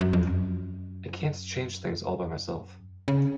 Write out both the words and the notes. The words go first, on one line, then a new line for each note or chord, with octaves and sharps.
I can't change things all by myself.
F#2
F2
F#2
C#3